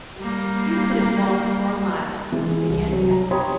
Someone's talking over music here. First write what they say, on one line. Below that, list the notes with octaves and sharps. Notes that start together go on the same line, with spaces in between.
"You couldn't walk four miles," began Ben.
G3 A#3
E3 G#3
C2
F#3
A#5
G4 C#5 G5 B5 C6 D#6